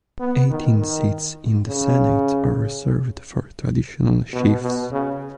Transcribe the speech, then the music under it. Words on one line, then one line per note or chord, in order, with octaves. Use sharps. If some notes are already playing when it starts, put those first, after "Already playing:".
Eighteen seats in the Senate are reserved for traditional chiefs.
B3
D#3
D#3
C#3
B2
B2
C#3